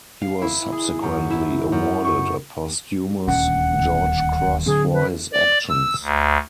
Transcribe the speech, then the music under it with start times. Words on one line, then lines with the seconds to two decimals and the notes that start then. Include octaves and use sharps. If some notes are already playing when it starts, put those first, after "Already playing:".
He was subsequently awarded a posthumous George Cross for his actions.
0.21 F5
0.42 E4
0.72 G#4
1.02 F#2
1.30 E4
1.72 F#2
2.05 C#6
3.27 D#1 D2 C#4 F#5
4.66 D3 F#3 C4 G#4
4.93 B4
5.33 D5
5.69 E6
6.02 D2